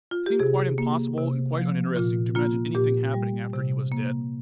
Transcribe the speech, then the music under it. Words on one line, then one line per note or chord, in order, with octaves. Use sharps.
It seemed quite impossible and quite uninteresting to imagine anything happening after he was dead.
F4
G4
C3 G#4
A#3
C3
F3
A#2 F4
A#3 F4
A#2 G4
G3
C3
A#3